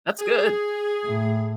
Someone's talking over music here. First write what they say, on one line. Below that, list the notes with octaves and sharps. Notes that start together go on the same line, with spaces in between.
That's good.
G#4
A2